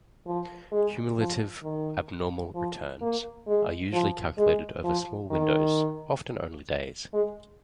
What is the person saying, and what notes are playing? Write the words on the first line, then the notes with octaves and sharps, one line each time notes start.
Cumulative Abnormal Returns are usually calculated over small windows, often only days.
F3
G#3
F3
D#3
F3
A#3
G#3
F3
G#3
F3
D#3
G#3